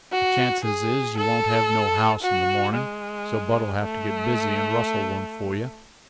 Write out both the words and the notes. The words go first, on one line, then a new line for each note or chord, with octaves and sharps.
The chances is yuh won't have no house in the morning, so Bud'll have to get busy and rustle one for yuh.
F#4
G#4
A4
F#4
G#3
A3